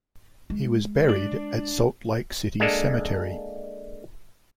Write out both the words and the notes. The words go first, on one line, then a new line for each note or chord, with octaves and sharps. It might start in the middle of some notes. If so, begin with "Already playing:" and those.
He was buried at Salt Lake City Cemetery.
G#3
D4 D5
G#3 A#3 D4 A4